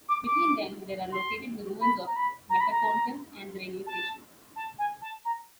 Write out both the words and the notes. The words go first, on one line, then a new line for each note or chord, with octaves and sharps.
Between them there are located the ruins of Metapontum and the railway station.
D6
D6
C6
B5
A#5
B5
A#5
B5
A#5
A5
A5
G#5
A5
A#5